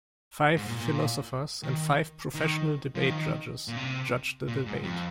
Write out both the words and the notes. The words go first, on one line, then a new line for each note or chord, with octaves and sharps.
Five philosophers and five professional debate judges judged the debate.
G#2
A#2
A#2
D#3
D#3
F3
D#3
A#2
C3
A#2
G#2
F2